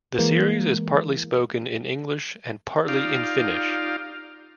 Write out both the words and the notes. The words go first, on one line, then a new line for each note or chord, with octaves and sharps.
The series is partly spoken in English and partly in Finnish.
E3 G#3 A#3
D#4 F4 G4 D5 F5